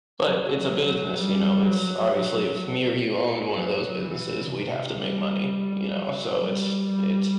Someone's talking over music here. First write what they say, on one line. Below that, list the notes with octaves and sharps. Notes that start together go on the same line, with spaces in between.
but it's a business, you know, it's obviously if me or you owned one of those businesses, we'd have to make money, you know, so it's it
F#3
G3
F#3
F#3
E3
C3
G3
F#3
G3
G3